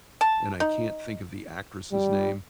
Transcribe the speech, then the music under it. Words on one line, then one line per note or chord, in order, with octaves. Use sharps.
and I can't think of the actress' name
A5
D#4
G3